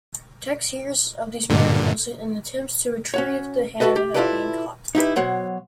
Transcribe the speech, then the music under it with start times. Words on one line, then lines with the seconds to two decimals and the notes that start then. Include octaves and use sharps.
Tex hears of these miracles, and attempts to retrieve the hand without being caught.
1.50 G2 A#2 D3
3.14 C#4 F#4 C#5
3.80 F#4 G4 A4 B4 D#5
3.96 G4
4.14 E4 F4 G4 A4 B4 D5
4.95 D#4 E4 G4 B4
5.16 B2 F#3 C5 C#5 F#5